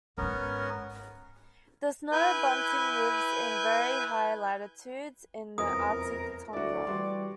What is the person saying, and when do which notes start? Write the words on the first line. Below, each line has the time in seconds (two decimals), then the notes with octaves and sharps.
The snow bunting lives in very high latitudes in the Arctic tundra.
0.18 G#1 G#2 B3 C#4 A#4
2.12 E4 B4 G#5 G6
5.58 E1 F2 E3 F3 A#4 D#6
6.53 D2 E4 F#4 D5
6.87 E3 G3 F#4 C6